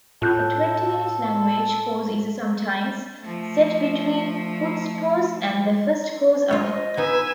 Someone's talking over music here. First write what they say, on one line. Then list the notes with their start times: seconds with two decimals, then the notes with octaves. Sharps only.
A twenty-minute language course is sometimes set between Putzpause and the first course hour.
0.22 A2 F4 A4 F#6 G6
3.21 F3 A3
6.51 F4 C5 C#5 D#5
6.97 B3 D#4 B4 G#5 E6